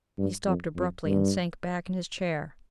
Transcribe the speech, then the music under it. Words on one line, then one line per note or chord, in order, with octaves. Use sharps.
He stopped abruptly, and sank back in his chair.
G2
F2
F2
G2